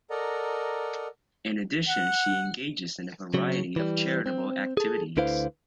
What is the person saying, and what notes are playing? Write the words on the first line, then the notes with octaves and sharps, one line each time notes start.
In addition she engages in a variety of charitable activities.
A4 A#4 D5 D#5 F#5 A#5
F#5
C#3 F#3
E3 G3
C4
G#4 A4
D2 D3 E4 B4 C5 F5